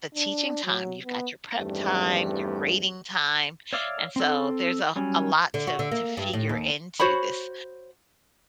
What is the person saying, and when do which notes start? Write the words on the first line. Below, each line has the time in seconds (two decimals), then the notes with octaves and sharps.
the teaching time, you've got your prep time, your grading time, and so, there's a a lot to to figure into this,
0.15 D4
0.64 F#3
1.05 B3
1.57 E2 G2 D#3 G3 A3 C4
3.73 C#5 D5 E5 F5 D6
4.16 C4 A4
4.96 F#3 G3 C#4
5.54 D3
5.67 F#4
5.79 D3
5.91 A#3
6.17 G2
6.33 A2
6.49 D#2
7.00 F#4 C5 C#5 B5